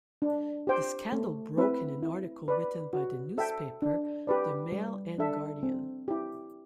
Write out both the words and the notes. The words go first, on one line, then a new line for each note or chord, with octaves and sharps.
The scandal broke in an article written by the newspaper the Mail and Guardian.
D4
G4 C5 G5
A3
C4 E4 B4 E5
E4
B4 D5
F#4
A4 E5 G5
D4
G4 B4 D5
G3
D4 A4 E5
C4
E4 G4